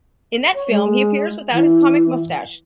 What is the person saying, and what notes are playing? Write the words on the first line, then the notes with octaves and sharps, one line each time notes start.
In that film he appears without his comic moustache.
C#5
G#3
E3